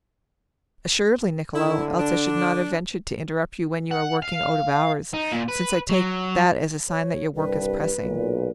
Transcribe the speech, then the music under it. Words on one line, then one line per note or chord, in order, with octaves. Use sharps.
"Assuredly, Niccolo; else I should not have ventured to interrupt you when you are working out of hours, since I take that as a sign that your work is pressing."
D3 E4
D4
F#5
F5
D#4
A#2
B4
F#3
C#5
C2 G2 B4
B1 A#2